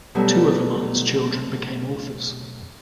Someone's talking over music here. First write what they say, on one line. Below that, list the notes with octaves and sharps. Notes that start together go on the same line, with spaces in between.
Two of Oman's children became authors.
B2 F#3 G3 A3 B3